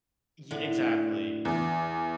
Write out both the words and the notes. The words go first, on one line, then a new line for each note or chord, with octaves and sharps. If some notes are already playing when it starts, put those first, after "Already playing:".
ye exactly.
A2 D3
E2